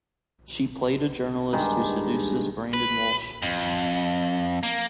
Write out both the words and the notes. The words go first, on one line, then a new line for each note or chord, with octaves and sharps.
She played a journalist who seduces Brandon Walsh.
G2 D#3 G#3
B4
F2
A#3